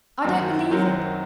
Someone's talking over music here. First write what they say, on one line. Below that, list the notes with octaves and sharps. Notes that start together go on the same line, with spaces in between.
I don't believe it!
F#2 D#3 F#3 C4 F#4
F#2 D#3 F#3 C4 F#4